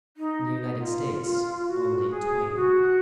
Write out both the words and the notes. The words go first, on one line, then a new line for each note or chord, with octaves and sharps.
In the United States, only Twain.
D#4
F4
F4
F#4
G#4
F#4